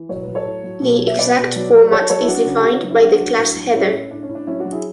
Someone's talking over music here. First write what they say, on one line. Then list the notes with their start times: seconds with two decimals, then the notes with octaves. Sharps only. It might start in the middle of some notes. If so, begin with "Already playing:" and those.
The exact format is defined by the "class" header.
Already playing: E3
0.09 F#3 C#5
0.22 F#3 B4
0.35 A4 C#5
0.46 A2
0.64 F#3
0.82 B2
1.00 F#3
1.07 E5
1.18 B2 B4 D5
1.37 B2
1.56 F#3
1.74 F#3
1.91 F#3 A4 C#5
2.10 F#3 A4 C#5
2.21 E4
2.28 F#3 D4 F#4
2.46 C#3
2.57 G#4
2.64 C#3 D4 F#4
2.72 C#4
2.78 D4
2.84 F#3
2.90 C#4 E4
2.96 G#4
3.01 F#3 D4 F#4
3.19 F#3
3.38 A2
3.56 F#3
3.74 A2 C#4 E4
3.92 A2
4.11 A2 D4
4.23 C#4
4.29 A2
4.35 D4
4.47 F#3 C#4 E4
4.60 D4 F#4
4.65 F#3
4.72 E4 G#4